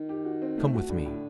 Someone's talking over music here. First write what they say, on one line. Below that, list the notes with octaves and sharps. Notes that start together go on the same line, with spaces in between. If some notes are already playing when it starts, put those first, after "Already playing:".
Come with me.'
Already playing: D#3
G4
F#4
C4
A3
F#4
A2 D3
A2